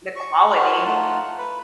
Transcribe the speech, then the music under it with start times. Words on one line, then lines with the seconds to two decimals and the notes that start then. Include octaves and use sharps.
The quality,
0.16 C#6
0.56 F#4 A#4 C5 C#5 A5
0.85 A3 D#4 F4 F#5
1.38 B4